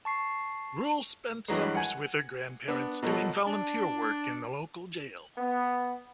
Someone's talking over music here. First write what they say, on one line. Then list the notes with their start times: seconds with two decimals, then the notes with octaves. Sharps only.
Rule spent summers with her grandparents doing volunteer work in the local jail.
0.05 A5 C#6 C7
1.48 G2 E3 F#3 G#3
1.75 F#5 G#5
2.68 B3 D4
3.03 B2 F3 F#3 A4
3.47 D4
5.38 B3